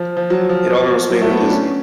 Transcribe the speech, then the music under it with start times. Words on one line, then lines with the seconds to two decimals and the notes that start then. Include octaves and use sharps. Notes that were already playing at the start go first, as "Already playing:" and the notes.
It almost made her dizzy.
Already playing: F3
0.17 F3
0.30 F#3
0.49 F3
1.10 F#3
1.21 A3
1.31 B3
1.41 D4
1.51 C#4